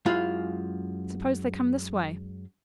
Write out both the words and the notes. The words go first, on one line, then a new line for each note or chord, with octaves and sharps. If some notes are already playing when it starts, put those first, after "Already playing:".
Suppose they come this way.'
F#2 G#3 E4 F4 F5